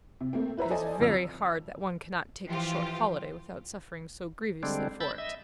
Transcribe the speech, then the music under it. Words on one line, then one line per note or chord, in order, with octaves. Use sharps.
It is very hard that one cannot take a short holiday without suffering so grievously for it.
C3
A3 A#3 C4
E4 B4 C5 E5 A#5
A4 C5 D5 D#5 G#5 A5
G1 F2 D5 E6 F7
E3 F3 F4 G4
D3 G3 G#3 C4 D4
B5 E6 G6 A6
D#5 E5 E6